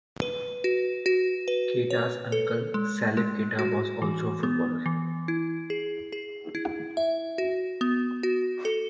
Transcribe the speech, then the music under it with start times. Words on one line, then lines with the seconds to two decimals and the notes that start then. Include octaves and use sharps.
Keita's uncle, Salif Keita, was also a footballer.
0.22 B4
0.64 F#4
1.06 F#4
1.48 B4
1.90 C#5
2.32 A4
2.74 G#3
3.17 G#3
3.59 F#4
4.02 E3
4.43 B3
4.86 E3
5.28 E4
5.70 G#4
6.12 G#4
6.55 E4
6.97 E5
7.38 F#4
7.81 B3
8.23 F#4
8.65 A4